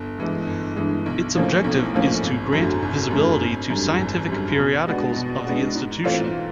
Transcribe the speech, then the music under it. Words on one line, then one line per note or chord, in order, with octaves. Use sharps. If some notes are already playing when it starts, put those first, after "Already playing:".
Its objective is to grant visibility to scientific periodicals of the institution.
Already playing: G1
G2 E3 G#3
G1
G2 E3 G#3
B1
A2 F3 A#3 C#4
B1
A2 F3 A#3 C#4
G#1
F#2 D3 F#3 A3
G#1
F#2 D3 F#3 A3
G#1
F#2 D3 G3
G#1
F#2 D3 G3
B2
G#3 B3 D4 F#4
B2
G#3 B3 D4 F#4
G#2
E3 A3 C4 F4